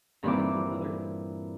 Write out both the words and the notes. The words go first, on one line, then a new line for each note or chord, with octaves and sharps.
and then you know another
G2 A#2 E3 C4 D6